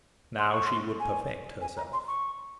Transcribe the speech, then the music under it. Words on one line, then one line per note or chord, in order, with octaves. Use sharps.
Now she would perfect herself.
C6
C#6
C6
G#5
G#5
A#5
C6
C#6